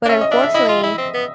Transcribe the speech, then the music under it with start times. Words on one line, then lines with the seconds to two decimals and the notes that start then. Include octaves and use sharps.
But unfortunately,
0.05 D4
0.09 C#4 E5
0.21 D#5
0.31 D4 E5
0.44 E5
0.54 E4 D#5
0.69 F4
0.83 E4
0.98 C4
1.14 B3